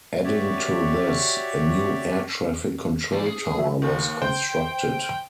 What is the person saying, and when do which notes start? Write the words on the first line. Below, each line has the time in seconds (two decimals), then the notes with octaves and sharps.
Adding to this, a new air traffic control tower was constructed.
0.24 F#4 G4 C#5 D5 E5
3.12 E3 F3 D5
3.26 G#4
3.58 F3 F#4 E5
3.82 D#2 D#3
4.22 C5 G5